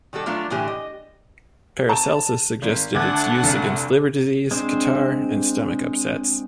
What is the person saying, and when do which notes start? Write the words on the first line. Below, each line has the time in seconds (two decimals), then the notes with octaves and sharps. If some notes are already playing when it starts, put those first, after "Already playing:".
Paracelsus suggested its use against liver disease, catarrh and stomach upsets.
0.13 D#3 G3 F#4 A4
0.26 F3 F#3 A3 D4 F4
0.50 A2 D3 E3 G4
0.67 D#5
1.89 A5
2.62 G#1
2.95 D2 D4 F#5 A5 D6 G#6
3.43 F1 D2
4.51 G#3 C4 D4 C5